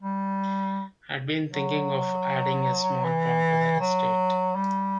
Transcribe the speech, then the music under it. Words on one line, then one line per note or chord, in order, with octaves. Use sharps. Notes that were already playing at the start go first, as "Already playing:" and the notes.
I'd been thinking of adding a small pond to the estate.
G3
F#3
E3
F#3
G3